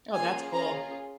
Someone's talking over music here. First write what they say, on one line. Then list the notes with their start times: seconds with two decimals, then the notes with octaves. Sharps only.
Oh, that's cool.
0.13 A#3 C#4 F4 G#4 G#5
0.52 C#4 F4 G#4 A#5